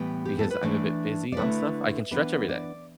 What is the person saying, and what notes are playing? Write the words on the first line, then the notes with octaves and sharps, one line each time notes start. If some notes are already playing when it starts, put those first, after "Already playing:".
because I'm a bit busy and stuff. I can stretch every day,
Already playing: A2 E3 G3 B3 G5
G4
A4
B4
E3 A3 D4 D5
D5
D3 A3 E4 B4
E3 B3 D4 B4
D5